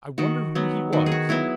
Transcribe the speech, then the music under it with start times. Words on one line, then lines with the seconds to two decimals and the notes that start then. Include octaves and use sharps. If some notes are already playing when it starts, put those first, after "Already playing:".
"I wonder who he was."
0.18 D#3 F#4
0.55 F#3 B3
0.93 D#3 F#4
1.06 G#4
1.12 F#4
1.29 F#3 B3 E4